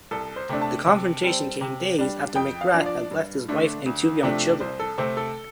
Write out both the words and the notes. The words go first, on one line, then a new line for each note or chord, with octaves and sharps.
The confrontation came days after McGrath had left his wife and two young children.
C2 A4
C5
C3 A3 D4
A5
C3
G3 C4
C3
G3 D4
F2 G5
F5
F3 D4
D5
G2
D3 A3 D4
D2
C3 F3 A3 D4
C2 C5
A4
C3 A3 C4 C5
A4